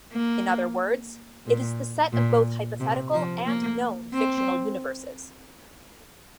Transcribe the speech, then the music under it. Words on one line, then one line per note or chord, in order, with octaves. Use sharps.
In other words, it is the set of both hypothetical, and known fictional universes.
A#3
A#2
A#2
C3
F3
A#3
C4